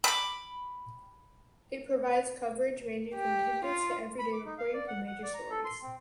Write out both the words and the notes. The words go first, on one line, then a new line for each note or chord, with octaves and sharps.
It provides coverage ranging from tidbits to everyday reporting to major stories.
B5 D6
G4
F4
B5
D6
D#4
F5
D5
F#5
F#5
D5
A#5
A4
C6
C4